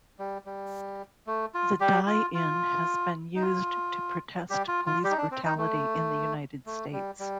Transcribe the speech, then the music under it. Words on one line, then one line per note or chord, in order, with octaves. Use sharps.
The die-in has been used to protest police brutality in the United States.
G3
G3
A3
F4
G3 G4
F4
F4
D#4
F4
G3 G4
F4
F4
G3 G4
D#4
D4
C4
D#4
A3
A3
G3
G3